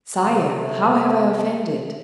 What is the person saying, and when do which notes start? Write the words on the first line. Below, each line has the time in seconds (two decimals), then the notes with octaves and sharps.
"Sire, how have I offended?"
0.22 C3 A3